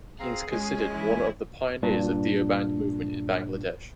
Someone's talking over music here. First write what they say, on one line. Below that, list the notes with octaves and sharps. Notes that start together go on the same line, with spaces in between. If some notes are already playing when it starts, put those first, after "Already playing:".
He is considered one of the pioneers of Deoband movement in Bangladesh.
C4 G#4 F5 A#5
G#3 C#4 G#5
E3 E4
G2 A#2 D4